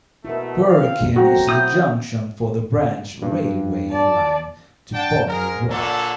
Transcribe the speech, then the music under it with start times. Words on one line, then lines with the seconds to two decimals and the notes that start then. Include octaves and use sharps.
Burakin is the junction for the branch railway line to Bonnie Rock.
0.25 B2 A3 E4 A#4
0.67 C4 F5
1.16 F#3 A3 C4 F#4 G5 A#5
1.49 E4 D#6 G6
3.22 G2
3.91 D5 A5
4.94 D4 F#5 G5 A5
5.28 G#2 G#3 A#4
5.70 A#2 D3 F#3 A4